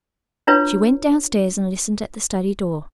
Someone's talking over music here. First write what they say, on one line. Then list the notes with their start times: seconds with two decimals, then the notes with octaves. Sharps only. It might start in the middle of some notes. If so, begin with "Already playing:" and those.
She went down-stairs, and listened at the study door.
0.47 D4 E4 F4 B4 C#5